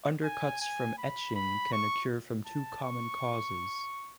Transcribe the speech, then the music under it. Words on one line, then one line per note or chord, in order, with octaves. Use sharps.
Undercuts from etching can occur from two common causes.
G#5
G#5
B5
B5
C#6
A5
C#6